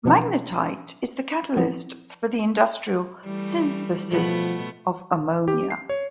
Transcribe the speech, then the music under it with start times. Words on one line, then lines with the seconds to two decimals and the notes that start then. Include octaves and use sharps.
Magnetite is the catalyst for the industrial synthesis of ammonia.
0.05 B2 E3 F3 D4 F#5
1.57 F3 B3 C4 E4 F4 B4
3.22 E3 G3 A3
4.09 B2 F3 A3 B3
5.48 G4
5.70 C7
5.89 C#5